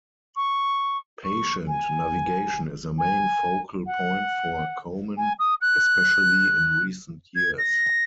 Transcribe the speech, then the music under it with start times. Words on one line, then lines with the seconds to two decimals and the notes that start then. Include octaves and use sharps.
Patient navigation is a main focal point for Komen, especially in recent years.
0.36 C#6
1.24 C#6
1.68 G#5
2.98 G#5
3.86 F#5
5.17 G#5
5.39 D#6
5.61 F#6
7.35 G#6
7.58 A#6